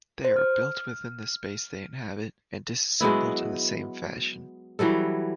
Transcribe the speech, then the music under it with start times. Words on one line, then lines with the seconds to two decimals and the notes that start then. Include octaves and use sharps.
They are built within the space they inhabit and disassembled in the same fashion.
0.25 C5
0.36 F6
3.01 F#3 G#3 B3 E4
4.79 E3 F#3 G3 A4